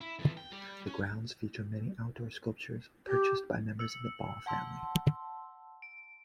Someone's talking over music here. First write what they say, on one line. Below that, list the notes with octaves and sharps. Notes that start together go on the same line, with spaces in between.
The grounds feature many outdoor sculptures purchased by members of the Ball family.
E4
F2 E3
G5
G3 G4
C#4
G4
E6 C#7 F#7
F#5 A5 C6 E6
D7